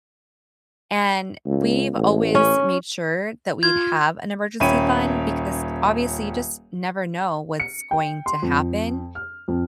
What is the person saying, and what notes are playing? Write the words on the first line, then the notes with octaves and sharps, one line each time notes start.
and we've always made sure that we'd have an emergency fund because, obviously, you just never know what's going to happen.
C#2
A1
C#4
F4 G#6
D#1 C#4 C#5 G5 B5 D#7
C#7
G5
C6
F2
F6
F2